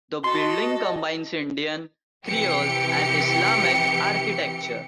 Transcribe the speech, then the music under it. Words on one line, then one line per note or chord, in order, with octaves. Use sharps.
The building combines Indian, Creole and Islamic architecture.
F#4 A4 D#5 C6
C3 E3 G4 C#7